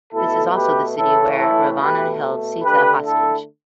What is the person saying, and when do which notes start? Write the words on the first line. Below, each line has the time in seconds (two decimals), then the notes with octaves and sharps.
This is also the city where Ravana held Sita hostage.
0.14 B2 A3 E4 A4
0.55 G4 B4
0.97 A2 E3 A3 E4 A4
1.39 E4 A4
1.80 B2 A3 G4 B4
2.64 D3 A3 G4 B4
3.06 E4 A4